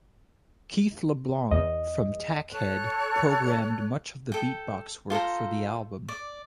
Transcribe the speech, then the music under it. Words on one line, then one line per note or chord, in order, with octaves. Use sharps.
Keith LeBlanc from Tackhead programmed much of the beatbox work for the album.
E2 D#5
A4 C#5 F#6
A4 G5
F4 A4 C5 A#5
D5